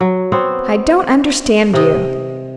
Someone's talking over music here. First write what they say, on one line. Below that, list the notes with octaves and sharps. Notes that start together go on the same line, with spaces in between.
"I don't understand you."
F#3
B3 C4 C5 C#5
C3 D#5